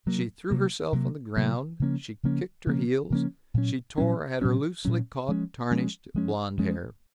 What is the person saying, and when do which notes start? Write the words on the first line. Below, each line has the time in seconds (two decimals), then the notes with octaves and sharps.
She threw herself on the ground; she kicked her heels; she tore at her loosely caught, tarnished blonde hair.
0.06 C3 F#3 A#3
0.50 C3 F#3 A#3
0.93 C3 F#3 A#3
1.37 C3 F#3 A#3
1.80 C#3 F3 A#3 C#4
2.23 C#3 F3 A#3 C#4
2.66 C#3 F3 A#3 C#4
3.10 C#3 F3 A#3 C#4
3.54 A#2 F#3 C#4
3.98 A#2 F#3 C#4
4.41 A#2 F#3 C#4
4.85 A#2 F#3 C#4
5.28 F3 G#3 C#4
5.71 F3 G#3 C#4
6.14 F3 G#3 C#4
6.58 F3 G#3 C#4